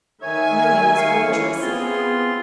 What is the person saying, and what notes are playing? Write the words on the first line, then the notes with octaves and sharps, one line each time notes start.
Milly was a waitress.
D#3 C#5 E5 G#5
F5 C#6
E3 C#4 C#5
B3 C4 F4 G#4 C6